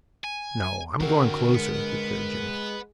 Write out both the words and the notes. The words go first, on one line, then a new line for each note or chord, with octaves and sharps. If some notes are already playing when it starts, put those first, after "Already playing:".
"No, I'm going closer," declared Jimmie.
G#5
D3 D#3 C4 F#4 A#4
G#3 B4 F#5